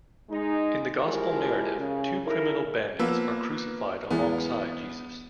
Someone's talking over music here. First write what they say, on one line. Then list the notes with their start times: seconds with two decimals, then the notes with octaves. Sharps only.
In the Gospel narrative, two criminal bandits are crucified alongside Jesus.
0.30 G#3 D#4
1.05 F3 G#3 E4 F4 G4 A#4
1.79 C#3
2.25 C#3 D#4 E4 A4 A#4
2.99 F3 A#3 B3 B4 E6
4.10 E2 G#3 B3